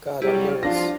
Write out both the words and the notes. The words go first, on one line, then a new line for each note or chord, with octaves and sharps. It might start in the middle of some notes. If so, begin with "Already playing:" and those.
God, I'm nervous!
F#3 G3 E4 G4 G#4
F3 D4 F4 A#6